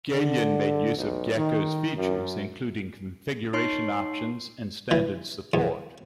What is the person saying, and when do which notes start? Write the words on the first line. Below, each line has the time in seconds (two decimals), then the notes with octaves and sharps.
Galeon made use of Gecko's features including configuration options and standards support.
0.12 D3
0.95 B1
1.35 D#3
1.96 F#2
3.53 D#4 C#5 C6 C7
4.91 E3
5.54 E2